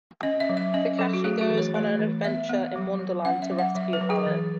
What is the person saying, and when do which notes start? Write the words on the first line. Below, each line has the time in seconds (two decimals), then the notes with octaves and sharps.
Takashi goes on an adventure in Wonderland to rescue Alice.
0.23 C#4 D#5
0.40 E5
0.49 F#3
0.57 E5
0.74 C#4 D#5
0.98 F#3 A4
1.13 F#4
1.24 A3 G#4
1.41 F#4
1.50 E3
1.58 C#5
1.74 A3 C#5
1.99 E3
2.25 B3 E5
2.50 B3
2.76 F#3
3.00 F#3
3.25 C#4 F#5
3.42 E5
3.51 F#3
3.59 F#5
3.75 F#3 E5
3.93 B4
4.01 F#3
4.10 G#4
4.26 E3